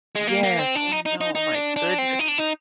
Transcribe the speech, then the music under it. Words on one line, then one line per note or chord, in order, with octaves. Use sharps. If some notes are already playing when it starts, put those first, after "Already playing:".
Yes. Oh, no, oh my goodness.
G#3
A#3
A#3
C4
D4
D#4
D#4
D#4
D#4
D4
D4
C4
D#4
D4
D#4